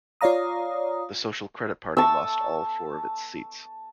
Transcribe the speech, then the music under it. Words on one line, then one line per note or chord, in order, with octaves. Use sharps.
The Social Credit Party lost all four of its seats.
F4 C#5 D5 F5 A#5 D#6
A5 C#6 E6